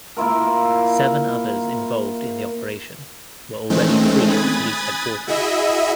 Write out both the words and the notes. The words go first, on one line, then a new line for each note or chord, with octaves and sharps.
Seven others involved in the operation were already free at the police headquarters.
A#3 E4 F4 A#4
D#3 E3 G#3 A3 C4 C#4
G#5 B5 D#6 F#6 G#6 A6
E4 F#4 G#4 D#5 E5